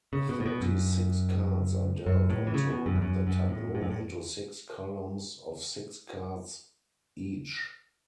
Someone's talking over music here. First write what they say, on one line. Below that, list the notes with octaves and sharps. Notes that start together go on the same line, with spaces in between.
Thirty-six cards are dealt onto the tableau into six columns of six cards each.
C#3
B2
A2
B2
F#2
F#2
A2
E3
C#3
B2
F#2
E2
F#2
F#2
A2
A2
F#2
A2